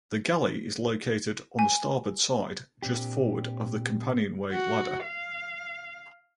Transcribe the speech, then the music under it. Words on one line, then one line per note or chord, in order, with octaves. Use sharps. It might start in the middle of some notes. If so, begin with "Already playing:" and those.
The galley is located on the starboard side just forward of the companionway ladder.
G#5
A#2 C4 D4 G4
F#4
F5